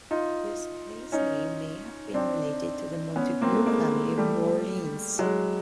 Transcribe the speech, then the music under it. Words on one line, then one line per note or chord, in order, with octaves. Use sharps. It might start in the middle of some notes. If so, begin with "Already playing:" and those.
This place name may have been related to the Montegut family of New Orleans.
D#4 F4
C#4 D#4
C4 D4
B3 C#4
A#3 C4
A3
G#3 A#3
G3 A3
F#3 G#3